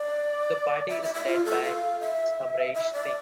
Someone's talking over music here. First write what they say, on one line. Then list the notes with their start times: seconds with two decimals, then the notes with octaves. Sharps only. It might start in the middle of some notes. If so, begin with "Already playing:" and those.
The party is led by Samresh Singh.
Already playing: D5
0.89 E5
1.03 E5
1.14 E5
1.27 F4
1.45 A4
1.63 F5
2.00 E5
2.74 E5
2.93 D5